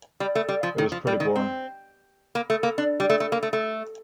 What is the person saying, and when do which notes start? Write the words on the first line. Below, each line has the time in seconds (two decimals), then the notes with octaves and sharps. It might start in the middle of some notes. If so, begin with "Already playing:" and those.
It was pretty boring.
0.20 G3
0.35 A3
0.49 G3
0.63 F3
0.78 D#3
0.92 F3
1.07 G3
1.20 D#3
1.36 C4
2.35 A#3
2.50 A3
2.63 A#3
2.78 D4
3.00 G3
3.10 A3
3.20 A3
3.32 A#3
3.43 A3
3.53 A3